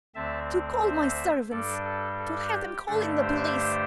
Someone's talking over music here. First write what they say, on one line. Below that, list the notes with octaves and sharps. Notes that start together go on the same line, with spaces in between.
"To call my servants--to have them call in the police."
D2 D3 C4 E5 A5
C5 E5
G2 G3 D4 A4 D5
A4
A4
G4
G2 D3 A3 D4 A4
G4 C5